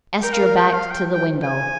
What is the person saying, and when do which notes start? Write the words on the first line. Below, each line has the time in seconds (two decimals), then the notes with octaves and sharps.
Estra backed to the window.
0.22 A#4 G5
0.33 F5
0.45 F5
0.57 G5
0.74 F5
0.91 G5
1.14 G5
1.43 G#5